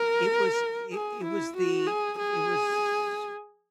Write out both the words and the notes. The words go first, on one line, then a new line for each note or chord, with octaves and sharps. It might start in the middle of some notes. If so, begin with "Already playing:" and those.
it was it it was the it was
Already playing: A#4
G#4
E4
F#4
G#4
G#4